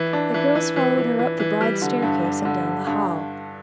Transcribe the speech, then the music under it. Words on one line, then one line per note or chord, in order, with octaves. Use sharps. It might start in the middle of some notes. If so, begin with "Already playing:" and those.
The girls followed her up the broad staircase and down the hall.
Already playing: E3
D4
E3
E3
E3
E3
E3
E3
G3
D3
G2
G2
D3
G2
G2